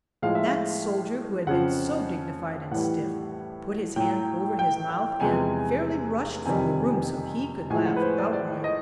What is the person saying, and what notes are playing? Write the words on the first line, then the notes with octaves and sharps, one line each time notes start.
That soldier, who had been so dignified and stiff, put his hand over his mouth and fairly rushed from the room so he could laugh outright.
A2 F3 G#3 F5
E5
F5
F2 C#3 F3 F#5
A2 E3 G3 F#5
A2 F#3 G5
G5
G5
E2 C3 F3 G#3 G#5
F2 C3 D#3 G3 G#5
A2 F3 G#3 G#5
F#5
B4
C5
D5
D5
D#5